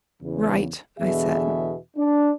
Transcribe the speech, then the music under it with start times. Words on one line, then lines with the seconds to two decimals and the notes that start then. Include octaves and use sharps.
"Right," I said.
0.22 E2 C#3
0.98 E2 B2 D3 E3 G#4 E5
1.97 D4